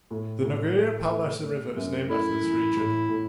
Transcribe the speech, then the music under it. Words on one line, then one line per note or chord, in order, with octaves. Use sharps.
The Noguera Pallaresa river is named after this region.
A2
A2
A3
A3
A3
F#2
A3 E4
E3
A2
A2